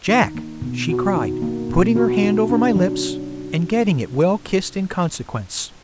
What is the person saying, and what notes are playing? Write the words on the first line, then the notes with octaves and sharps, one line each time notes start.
Jack!' she cried, putting her hand over my lips, and getting it well kissed in consequence.
D#4
A#3
B2
F#4
D#4
A#3
B2
F#4
D#4
D4
F#3